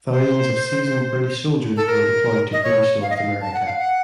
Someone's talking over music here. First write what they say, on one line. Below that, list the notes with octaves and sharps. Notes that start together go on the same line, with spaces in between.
Thousands of seasoned British soldiers were deployed to British North America.
C5
A4
A#4
D#5
C#5
F5
D#5
F5
A5
F#5
F5
F#5